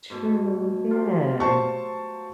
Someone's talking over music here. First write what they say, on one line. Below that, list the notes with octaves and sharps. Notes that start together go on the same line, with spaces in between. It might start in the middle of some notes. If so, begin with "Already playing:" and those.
True, yeah.
G#2 B2 A3
F4 G4 C5
F#3 C5 A5 C#6